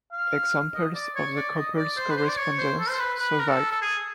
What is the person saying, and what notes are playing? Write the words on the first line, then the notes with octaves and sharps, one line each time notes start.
Examples of the couple's correspondence survive.
F5
D#5
D5
C#5
D5
D#5
D5
C5
B4
C5
D5
C#5
C5
A4
C5
B4
B4
A#4
A4
A4
G#4